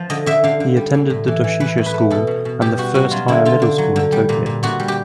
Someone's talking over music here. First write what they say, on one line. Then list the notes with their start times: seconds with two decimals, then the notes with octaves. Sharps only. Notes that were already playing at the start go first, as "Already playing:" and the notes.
He attended the Doshisha School and the First Higher Middle School in Tokyo.
Already playing: F3
0.10 D3 D#5
0.26 D3 E5
0.44 D3 F5
0.60 D3
0.77 G3
0.94 D3
1.10 A2
1.28 E3
1.44 E3
1.60 E3 B4
1.78 A2
1.86 B4
1.94 A3
2.10 B2 A4
2.27 B2
2.45 B2
2.61 B2 G4
2.78 G3 F#4
2.94 G3 F#4
3.11 F#3 F4
3.28 D3 E4
3.45 D3 F4
3.62 D3
3.78 F#3
3.96 D3
4.12 G3
4.29 A#2
4.46 A#2
4.63 A#2 F#4
4.80 G3
4.88 G4